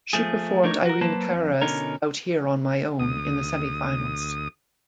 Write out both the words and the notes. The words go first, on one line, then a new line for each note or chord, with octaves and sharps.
She performed Irene Cara's "Out Here On My Own" in the semi-finals.
F3 A3 G#4
A3 D4 D#4 A#4 C#5
F#4 A#4
F#3 A#3 B4 C5 A5
F2
B2 D3 C#4 D#4 A#4
D2 D#6